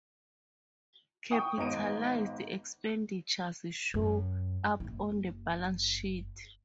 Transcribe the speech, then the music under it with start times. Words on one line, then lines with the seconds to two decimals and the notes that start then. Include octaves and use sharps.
Capitalized expenditures show up on the balance sheet.
1.31 G5 C#6 D#6
1.57 G#1 B3 D#5 A#5 D7 D#7
3.94 F#2
4.80 F#1 E4